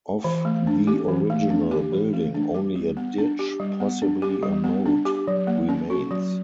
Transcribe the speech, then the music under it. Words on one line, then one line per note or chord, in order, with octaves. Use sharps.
Of the original building only a ditch, possibly a moat, remains.
E3
A3
D4
G4
E3
A3
D4
G4
E3
A3
D4
G4
G3
B3
D4
G4
G3
B3
D4
G4
G3
B3
D4
G4
F#3
A#3
C#4
F#4
F#3